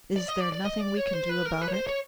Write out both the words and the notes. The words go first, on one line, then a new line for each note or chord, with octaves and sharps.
"Is there nothing we can do about it?"
D5
D#5
D5
D5
D#5
D5
C#5
C5
B4
A#4
B4
C#5
C5
C#5